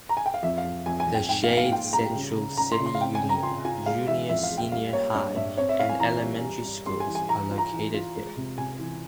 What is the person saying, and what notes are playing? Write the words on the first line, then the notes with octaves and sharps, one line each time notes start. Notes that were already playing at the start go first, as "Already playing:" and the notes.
The Shade-Central City Union, Junior-Senior High, and elementary schools are located here.
A#5
G#5
G5
F5
F2 E5
F5
F2
F2 G#5
G#5
F2
G5
G#2 G5
F5
A#3
F5
F4 G5
G3 A#5
C#3
C#3
C#3 A#5
C6
C#3
C6
F5
C4 G5
G#5
C#3
A#5
F4 C6
F4 G#5
G#3 F5
E3 E5
F2 E5
F5
G#3
G5
G3 F5
A#3 C#5
G2 C#5
G2 E5
C4 C#5
E5
E4 F5
G#5
E3 A#5
G3
G3
G3
G3 C6
G#5
E3
G#5
E3 A#5
F4
A#5
E3
F4
G#3
C3
C3 G#5
E3